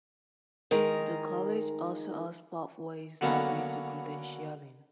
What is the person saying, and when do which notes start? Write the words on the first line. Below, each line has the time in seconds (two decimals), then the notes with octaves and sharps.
The college also has pathways that lead to credentialing.
0.71 D#3 G#3 A#4
3.21 D3 F#3 A#3 B3 C#4